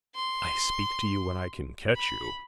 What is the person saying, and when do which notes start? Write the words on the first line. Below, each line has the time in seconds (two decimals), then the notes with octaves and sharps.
I speak to you when I can catch you.
0.15 C6
1.96 B5